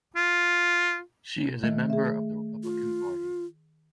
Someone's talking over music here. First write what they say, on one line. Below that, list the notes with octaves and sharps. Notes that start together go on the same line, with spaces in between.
She is a member of the Republican Party.
F4
D#3 A3
G#4 E5
F4